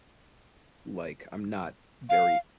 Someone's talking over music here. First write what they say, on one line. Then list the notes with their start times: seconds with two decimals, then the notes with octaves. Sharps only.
like, I'm not very
2.10 F5